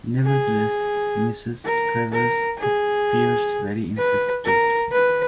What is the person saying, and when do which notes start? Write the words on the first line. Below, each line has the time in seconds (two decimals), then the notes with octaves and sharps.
Nevertheless, Mrs. Travers appears very insistent.
0.24 G#4
1.65 A#4
2.12 A#4
2.58 G#4
3.98 B4
4.45 A#4
4.92 B4